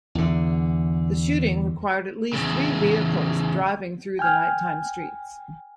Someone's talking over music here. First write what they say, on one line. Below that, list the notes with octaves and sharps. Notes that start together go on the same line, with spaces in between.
The shooting required at least three vehicles driving through the nighttime streets.
E2 D3
E2 C#3
G5 G#5 F6